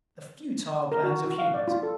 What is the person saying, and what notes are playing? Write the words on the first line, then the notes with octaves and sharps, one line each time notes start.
The futile plans of humans!
A#4
F#4
F#4
F5
D5
F4
A4